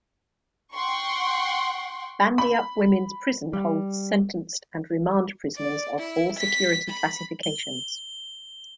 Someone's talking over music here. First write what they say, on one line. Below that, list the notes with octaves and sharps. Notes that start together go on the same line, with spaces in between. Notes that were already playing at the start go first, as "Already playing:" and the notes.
Bandyup Women's Prison holds sentenced and remand prisoners of all security classifications.
F#5 G5 C6 C#6
B5
G3
D5
E4
B6
B5
G7